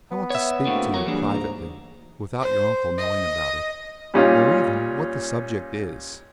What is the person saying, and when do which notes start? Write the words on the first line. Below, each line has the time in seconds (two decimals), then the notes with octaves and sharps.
I want to speak to you privately without your uncle knowing about it, or even what the subject is.
0.11 B3
0.30 C#5 E5
0.66 A2 D3 A#3 C4 F#4
0.94 F#3 F#4 A#4 C#5
1.06 E3 G3 A#3 D4 G#4
1.28 D2 G#2 A#5
2.41 C5
2.98 D#5
4.14 A#2 G3 C#4 D#4 F4